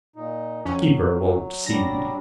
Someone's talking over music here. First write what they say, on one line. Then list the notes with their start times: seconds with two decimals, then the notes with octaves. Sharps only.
Keeper won't see.
0.16 A#2 D#4
0.65 F2 F#3 C#4
1.66 F#3 G3 D4 A#6